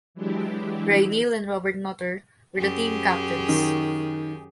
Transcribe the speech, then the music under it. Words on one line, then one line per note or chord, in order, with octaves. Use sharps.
Ray Neal and Robert Nutter were the team captains.
E3 F#3 G#3 D4 E4 G4
F#2 G4 G#4
D#3